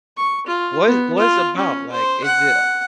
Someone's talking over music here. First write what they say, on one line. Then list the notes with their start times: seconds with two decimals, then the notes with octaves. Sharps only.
What what it's about, like, is it
0.17 C#6
0.46 F4
0.87 B3
1.18 F4
1.56 C#4
1.91 C5
2.24 F#5